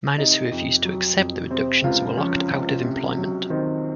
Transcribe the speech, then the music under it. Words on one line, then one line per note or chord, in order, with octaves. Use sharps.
Miners who refused to accept the reductions were locked out of employment.
C3 D#4
F2
F#3
F2
C3 C4
C#2 F4
F3 C#4
C#2
C3
F#3
D#3 C4